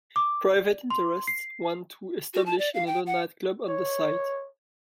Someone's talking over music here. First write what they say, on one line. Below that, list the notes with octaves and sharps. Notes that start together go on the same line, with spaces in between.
Private interests want to establish another night club on the site.
D6
D5
C6
C7
F#4
A5
D5
F5
G5
F#5
C#5